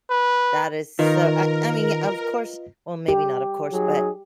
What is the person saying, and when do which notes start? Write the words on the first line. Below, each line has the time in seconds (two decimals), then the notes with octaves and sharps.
That is so I I mean, of course- well, maybe not of course- but,
0.10 B4
0.99 D#3 F4 A#4 B4 D#5
3.08 G4
3.72 F#3 D#4 G#4